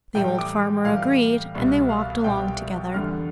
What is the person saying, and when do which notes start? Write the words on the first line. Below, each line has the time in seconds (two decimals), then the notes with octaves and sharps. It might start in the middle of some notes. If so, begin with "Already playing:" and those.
The old farmer agreed, and they walked along together.
0.15 A2 E3 G3 G5
0.39 D6
0.85 A2 E3 G3 F5
1.55 C2 B2 G3
1.89 F5
2.24 C2 B2 G3 G5
2.94 E2 D3 G3 F6